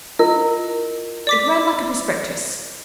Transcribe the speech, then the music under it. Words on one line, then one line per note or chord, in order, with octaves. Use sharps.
It ran like a prospectus.
E4 F4 A#4 D#5
D5 D6 B6